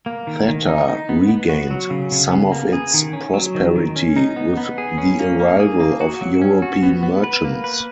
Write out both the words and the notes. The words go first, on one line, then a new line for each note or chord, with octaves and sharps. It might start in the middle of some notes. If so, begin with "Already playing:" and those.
Thatta regained some of its prosperity with the arrival of European merchants.
A#3
D#3
D#3
D#4
D#4
B3
B3
F#4
F#3
C#3
C#3
B3
A#3
G#4
D#3
C#4
F#3
D#3
D#3
C#4
D#4
B3
B3
G#4
C#4
A#3
A#3
G#4
A#3
F#4
F#3
C#4
F#4
B3
B3
B4
A#3
B4